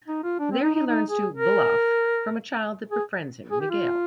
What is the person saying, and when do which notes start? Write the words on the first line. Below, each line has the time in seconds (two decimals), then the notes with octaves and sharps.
There he learns to 'bluff' from a child that befriends him, Miguel.
0.08 D#4
0.24 F4
0.40 D4
0.52 C4
0.63 D#4
0.75 D#4
0.87 D#4
1.10 G#4
1.35 A#4
2.91 G#4
3.52 G#4
3.61 G4
3.70 F4